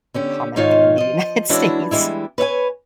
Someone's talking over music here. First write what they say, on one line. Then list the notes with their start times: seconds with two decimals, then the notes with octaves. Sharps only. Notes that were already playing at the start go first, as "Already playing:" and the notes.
common thing in the United States.
0.14 D3 C#4 G4
0.56 G#2 D#3 D#4 F4 C#5 F5
0.98 F3 D#5
1.49 E3 G#3 C#4 D4 E4 F#4
1.91 E3 G3 G#3 E4
2.38 B4 C#5 E5 G#5